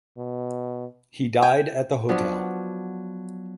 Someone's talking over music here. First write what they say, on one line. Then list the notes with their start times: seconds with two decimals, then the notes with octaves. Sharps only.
He died at the hotel.
0.17 B2
1.42 G5 G#5
2.09 F3 F#3 B3 D4